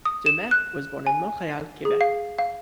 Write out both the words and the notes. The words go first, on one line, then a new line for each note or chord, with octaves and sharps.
Demers was born in Montreal, Quebec.
D#6
E7
F#6
G#5
G#4
F5
F5